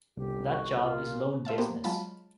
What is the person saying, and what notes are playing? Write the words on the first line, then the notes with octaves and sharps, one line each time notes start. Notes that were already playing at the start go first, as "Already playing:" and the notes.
That job is loan business.
G1 C2 G4
F#4
A#2 F4
C5 E5 F5 A5
A#3 B3 G4 C5
F#3 G#3 F4 A5 B5